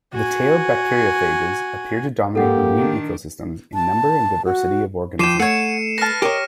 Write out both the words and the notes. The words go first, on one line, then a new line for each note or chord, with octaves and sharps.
The tailed bacteriophages appear to dominate marine ecosystems in number and diversity of organisms.
F#4 G#5
G#2 A#3 G4 A4 F#5
D#3 D4
A5
F#4
F3 G5 D6 C7 D#7 E7
A3 C#5 F#5 C#7
B4 A5 F6 A#6
G4 A#4 C#5 D#5